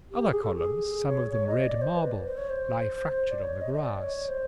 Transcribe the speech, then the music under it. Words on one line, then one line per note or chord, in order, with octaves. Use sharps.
Other columns, some of them red marble, lie fractured on the grass.
G4
G#4
A4
G#4
C#5
C#5
D#5
D5
C5
B4
C5
C#5
C5
D5
C#5
D#5
D#5
D5
C#5
C5